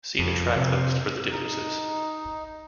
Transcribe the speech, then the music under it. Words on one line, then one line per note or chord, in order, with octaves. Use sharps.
See the track list for the differences.
F2
C3
D#4